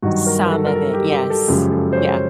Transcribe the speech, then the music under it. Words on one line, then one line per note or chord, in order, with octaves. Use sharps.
Some of it, yes, yeah.
G2 D#3 F#3 F#4
A#4
A#4
A4
A#4
A4
G4
G4
A4
F#2 C#3 F3 G#3 G4
A4
C5
C#5